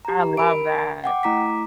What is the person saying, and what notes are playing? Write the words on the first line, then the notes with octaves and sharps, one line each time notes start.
I love that.
G4 A#5
A#4 B5 D7
F#5 G5 D6
A3 E4 A#5 D6 B6